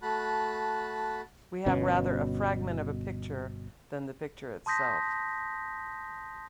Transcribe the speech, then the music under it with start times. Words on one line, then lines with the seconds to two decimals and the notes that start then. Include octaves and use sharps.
We have rather a fragment of a picture than the picture itself.
0.02 A3 F#4 A5 B5 F#6
1.66 G1 B2 C#4
4.66 A5 C6 D#6 G6 A#6 B6